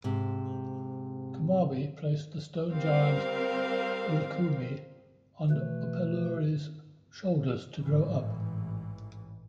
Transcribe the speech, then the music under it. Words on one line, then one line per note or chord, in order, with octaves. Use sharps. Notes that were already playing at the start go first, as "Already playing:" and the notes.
Kumarbi placed the stone giant Ullikummi on Upelluri's shoulders to grow up.
G#2 C3
G3 C4 A#4 F5
B2 E3 A3 B4
A1 G#2 E3